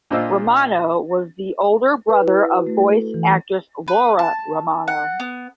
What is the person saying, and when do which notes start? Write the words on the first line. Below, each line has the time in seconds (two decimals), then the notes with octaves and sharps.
Romano was the older brother of voice actress Laura Romano.
0.11 A#2 D4 F4 C5 D#5 E6
2.10 B4
2.22 E4
2.51 F#4
2.67 A3
2.91 A4
3.14 E3
3.88 B4
4.19 A5
4.88 F#5
5.20 B3